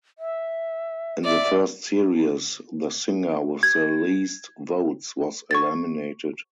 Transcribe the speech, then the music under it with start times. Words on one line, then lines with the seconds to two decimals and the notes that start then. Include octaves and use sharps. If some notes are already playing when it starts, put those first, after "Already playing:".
In the first series, the singer with the least votes was eliminated.
0.19 E5
1.24 D5 E5
3.63 G#6
5.51 C#6 G#6 A6